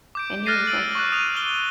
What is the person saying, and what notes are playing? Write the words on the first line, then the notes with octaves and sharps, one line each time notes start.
and he was like
D6 G6 D7
F6 F#6 A6 A#6 C7 D#7
E6 D7 D#7 F#7
C#6 D6 F#6
D#6 D#7 F7
F6 G7